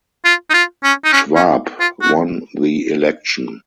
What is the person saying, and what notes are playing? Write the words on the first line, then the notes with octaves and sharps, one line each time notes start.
Schwab won the election.
F4
D#4
F4
C#4
D#4
C#4
C#4
F4
F#4